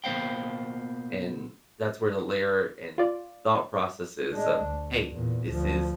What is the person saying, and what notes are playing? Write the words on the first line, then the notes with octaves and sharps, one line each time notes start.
And that's where the layer in thought processes of, "Hey. This is
B2 A#3 B3 C5 F5 G5
F4 D5
G#3 D4
D2
E2 A#2
D2 F3